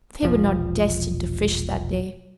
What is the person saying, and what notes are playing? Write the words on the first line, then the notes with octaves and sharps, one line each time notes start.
They were not destined to fish that day.
E1 A#1 F3